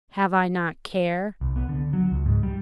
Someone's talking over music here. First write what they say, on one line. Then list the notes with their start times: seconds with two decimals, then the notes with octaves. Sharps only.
Have I not care?
1.41 C2
1.56 B3
1.69 D3
1.93 F#3
2.12 C#2
2.26 G#2
2.43 G3